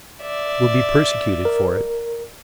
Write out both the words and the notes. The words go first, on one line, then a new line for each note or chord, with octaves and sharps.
We'll be persecuted for it.
D5 E5
A#4